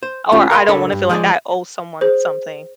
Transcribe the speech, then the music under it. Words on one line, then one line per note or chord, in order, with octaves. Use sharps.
or I don't wanna feel, like, I owe someone something.
C5
A3 C#4 F4 G4
A#4 F5 F#5 B5 C6
C#2 D4 A4 A#4 C#5 B5
G2
F3 G#3 G#4 C#5 D5
G#4 C5